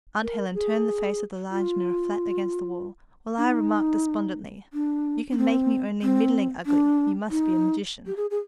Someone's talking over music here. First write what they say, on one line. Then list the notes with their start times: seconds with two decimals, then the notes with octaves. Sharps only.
Aunt Helen turned the face of the large mirror flat against the wall, while I remarked despondently, "you can make me only middling ugly, you must be a magician."
0.22 A#4
0.54 G#4
1.51 F4
3.38 D4
3.44 D#4
4.73 D4
5.32 D4
5.38 C4
6.02 C4
6.66 D4
7.31 D#4
8.06 G4
8.16 G#4
8.31 G#4